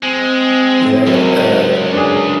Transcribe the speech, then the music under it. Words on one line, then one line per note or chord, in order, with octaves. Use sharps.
Yeah, uh uh
G#3 C4
C#2 F#2 C#3
D4 G#4